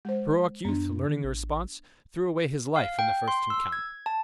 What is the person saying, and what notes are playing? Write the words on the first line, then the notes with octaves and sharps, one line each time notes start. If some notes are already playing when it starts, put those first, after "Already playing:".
The heroic youth, learning the response, threw away his life in the first encounter.
G#3 C5
F#2 B3 D4
D#3
A1
F5
G5
C6
E6
G#6
A5